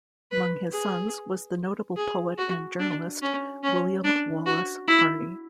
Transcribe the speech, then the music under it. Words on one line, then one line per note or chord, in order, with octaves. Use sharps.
Among his sons was the notable poet and journalist William Wallace Harney.
B4
G#4
G#4
F#4
D4
C#4
C#4
D4
F#4
E4